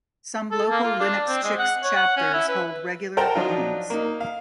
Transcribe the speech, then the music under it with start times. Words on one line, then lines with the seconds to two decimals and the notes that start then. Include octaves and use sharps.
Some local LinuxChix chapters hold regular meetings.
0.51 A4
0.70 A#3
0.84 F4
1.00 D4
1.28 C4
1.43 G#3
1.58 F#5
1.84 C#5
1.96 F#5
2.17 C#4
2.34 E4
2.49 B4
3.17 A#4 C5 F#5 G5 A5 A#5
3.35 F3 F#3 D4 D#4 F4
3.90 A#3 D#4
4.20 F5